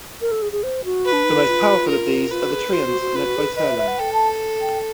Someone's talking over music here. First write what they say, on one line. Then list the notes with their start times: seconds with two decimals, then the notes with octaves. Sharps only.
The most powerful of these are the treants led by Turlang.
0.21 A#4
0.31 A4
0.42 G#4
0.52 G#4
0.63 C5
0.85 F#4
1.05 B4
1.12 D4
1.24 D#4
1.36 E4
1.47 F4
1.88 A#4
2.31 F4 B4
2.41 F#4
2.52 G#4
2.72 F#4 C5
2.87 F#4
3.01 F#4
3.14 F4 B4
3.25 F#4
3.36 G#4
3.56 B4 D#5
3.68 E5
3.78 E5
3.88 F#5
3.98 A4 G5
4.13 A5
4.61 G5